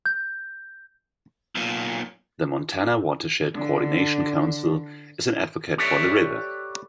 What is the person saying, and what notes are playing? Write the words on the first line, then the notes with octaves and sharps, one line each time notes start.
The Montana Watershed Coordination Council is an advocate for the river.
G6
B1 A#2
D3 D4
G4 A4 B4 C#5 D5 E5